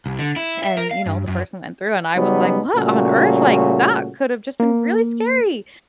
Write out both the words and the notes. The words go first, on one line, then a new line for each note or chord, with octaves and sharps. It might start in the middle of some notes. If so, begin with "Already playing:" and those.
And, you know, the person went through and I was like, "What on earth? Like, that could have just been really scary."
C2
D3
E4
E5
A#4
F5
G2
F#2
C#3 F#3 G3 B3 C#4 D#4
A#2 C#3 G3 A3 C#4 F#4
A#3